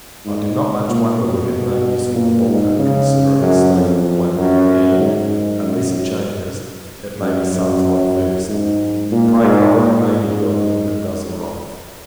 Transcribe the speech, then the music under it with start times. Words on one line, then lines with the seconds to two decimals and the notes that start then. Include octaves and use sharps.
I do not much wonder we have no news from the Baltic, considering the state of the wind; and, unless it changes, it may be some time first. Pray God it may be good, when it does arrive.
0.25 G#2
0.89 A#2
1.20 B2
1.52 B2
2.14 A#2
2.47 G#2
2.78 C#3
3.42 F#2
3.73 F2
4.36 F#2
4.99 G#2
5.62 F#2
7.21 F#2
7.53 F#2
8.48 G#2
9.12 A#2
9.43 G#2
9.75 A#2
10.05 G#2